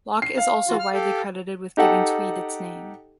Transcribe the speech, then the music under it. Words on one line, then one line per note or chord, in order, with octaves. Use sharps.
Locke is also widely credited with giving Tweed its name.
C7
F5
E3 F4 F#4
F6
G4 A4
D#4 G4 A4 F#5